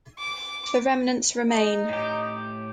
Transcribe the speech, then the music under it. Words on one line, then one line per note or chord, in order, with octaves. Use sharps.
The remnants remain.
D6
D#4
A2 G4